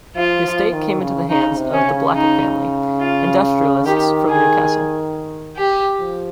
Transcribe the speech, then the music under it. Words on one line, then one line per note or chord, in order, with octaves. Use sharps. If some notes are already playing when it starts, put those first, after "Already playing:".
The estate came into the hands of the Blackett family, industrialists from Newcastle.
F3 F4
F3
D#3
C#3
C#3 D#4
C3
C#4
C#3
D#4
F4
D#3 G4
G#4
G4
F3